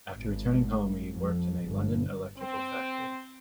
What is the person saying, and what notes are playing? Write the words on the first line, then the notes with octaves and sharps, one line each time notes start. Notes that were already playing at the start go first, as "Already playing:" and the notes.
After returning home, he worked in a London electrical factory.
G#1
F2
G1
C4